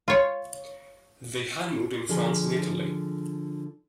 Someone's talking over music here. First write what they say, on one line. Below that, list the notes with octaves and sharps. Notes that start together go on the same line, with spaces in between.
They honeymooned in France and Italy.
F4 C#5
D3 F3 G#4